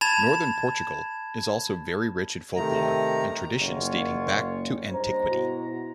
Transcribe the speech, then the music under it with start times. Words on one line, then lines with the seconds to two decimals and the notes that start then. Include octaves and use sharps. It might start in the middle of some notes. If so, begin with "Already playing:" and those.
Northern Portugal is also very rich in folklore and traditions dating back to antiquity.
0.01 A5 B5 G#6 A6 E7
2.56 C3 D#3 A3 A#5
3.60 F#1 A#3 C#4 F4 F#4 C#5
4.90 G2 G#3 C5 A#5
5.30 B2 E4 F#4